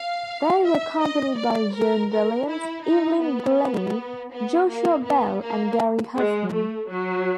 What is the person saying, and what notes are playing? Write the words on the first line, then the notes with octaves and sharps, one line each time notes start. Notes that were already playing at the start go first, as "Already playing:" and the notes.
They were accompanied by John Williams, Evelyn Glennie, Joshua Bell, and Gary Hoffman.
Already playing: F5
E5
D#5
D5
A#4
A#4
E4
D#4
B3
B3
A#3
B3
A#3
G#3
A3
F#3